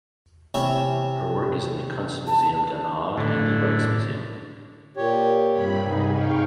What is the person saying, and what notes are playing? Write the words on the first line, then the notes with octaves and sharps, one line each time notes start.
Her work is in the Kunstmuseum Den Haag and the Rijksmuseum.
C3 C#4 E4
A5
A2 D3
A#2 G4 C#5
G2 C3 B5
G#2 D#4 G#4
F5 G5 C#6